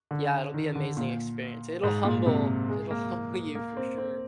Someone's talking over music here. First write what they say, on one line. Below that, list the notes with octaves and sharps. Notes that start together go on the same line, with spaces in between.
yeah, it'll be amazing experience. It'll humble it'll humble you for sure.
D3
D#3
D3
A#2
G#2
A#2
C3
G#3
A#3
A#3
C4
C4